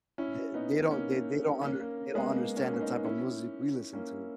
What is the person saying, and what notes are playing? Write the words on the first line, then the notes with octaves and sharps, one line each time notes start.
th they don't they they don't under they don't understand the type of music we listen to.
C#4 E4
B3 D#4
A#3 C#4
A#3 C#4
A#3
G#3 B3
A#3
A#3 C#4
C#4
B3 D#4
C#4 E4
A#3 C#4